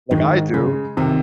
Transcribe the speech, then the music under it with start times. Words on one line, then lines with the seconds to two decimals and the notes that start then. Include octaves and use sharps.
Like I do.
0.11 G#2 D#3
0.54 C#3 G#3
0.97 C3 D#3